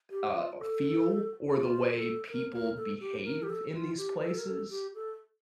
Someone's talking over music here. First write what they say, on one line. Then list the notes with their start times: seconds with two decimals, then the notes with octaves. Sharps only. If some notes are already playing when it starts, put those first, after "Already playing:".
uh, feel, or the way people behave in these places,
0.11 G4
0.35 F4
0.59 A4
1.56 F4
1.92 A4
2.28 A#4
2.53 A#4
2.77 A4
3.00 G4
3.25 A#4
3.43 G4
3.50 A4
3.74 F4
3.98 G4
4.22 A4
4.38 A#4
4.46 A4
4.70 G4
4.95 A4